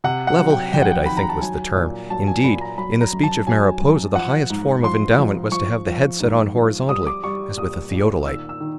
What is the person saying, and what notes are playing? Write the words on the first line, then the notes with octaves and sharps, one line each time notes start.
"Level-headed" I think was the term; indeed in the speech of Mariposa, the highest form of endowment was to have the head set on horizontally as with a theodolite.
C3 F#5
F#5
F#3
G5
F2 G5
F#5
G5
D#3 B5
A#5
A5
F#3 G#5
A#2
F#3 A5
G#5
A#2 B5
A#5
F#3 B5
A#5
F#2
A5
F#3 G#5
F#2
F3 F#5
G#2
F3 C6
F3
F3 C#6
F3
G#2
F3
G3 D#6
D6
G3 C#6
A#2 D#6
A#2
D#3 E6
E6
D#3